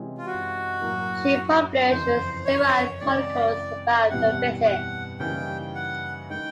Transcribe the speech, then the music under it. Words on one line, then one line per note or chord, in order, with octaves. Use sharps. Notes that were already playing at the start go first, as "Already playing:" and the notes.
She published several articles about her visits.
Already playing: C3 E3 G#3 C#4
F4
F#4
A2 F#3 A#3
F2 C#3 E3 C5
C#5
C#3 E3 G#3 C4 D5
E2 B2 G3 C4 E4 F#5
F#5
C#3 E3 G3 A#3 D#4 G5
F#5
D#3 G#3 G5